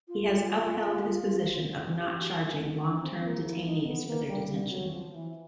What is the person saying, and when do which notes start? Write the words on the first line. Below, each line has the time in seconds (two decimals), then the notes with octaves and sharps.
He has upheld his position of not charging long-term detainees for their detention.
0.08 F4
1.98 G4
2.18 F#4
2.39 E4
2.60 D#4
2.81 D4
3.02 C4
3.23 A#3
3.43 E4
3.65 D#4
3.86 B3
4.07 A#3
4.28 G3
4.48 G3
4.70 F#3
4.91 F3
5.12 E3